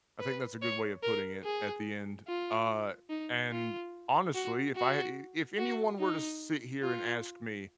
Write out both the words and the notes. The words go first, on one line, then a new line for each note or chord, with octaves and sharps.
I think that's a good way of putting it at the end, uh, and honestly, if I i if anyone were to sit here and ask me,
B4
C#5
A#4
G#4
F4
D#4
F4
F#4
F#4
F#4
D#4
F4